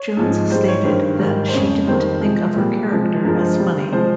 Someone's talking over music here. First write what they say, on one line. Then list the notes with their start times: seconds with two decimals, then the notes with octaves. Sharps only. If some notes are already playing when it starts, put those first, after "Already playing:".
Jones stated that she didn't think of her character as funny.
Already playing: C#5
0.17 G#2 F3 G#3
0.51 G#2 G3 C5
0.68 C#5
0.85 G2 D#3 G3 C5
1.19 G#2 D#3 G3
1.48 C5
1.53 F2 C#3 G#3 C#5
1.87 F2 D#3 G3 C5
2.21 C3 F3 G#3
2.55 A#2 G3 G#4
2.90 C3 F3 G#3
3.23 G2 F3 G#3 A#4
3.40 C5
3.58 C3 G3
3.92 C3 F3 G#3 C5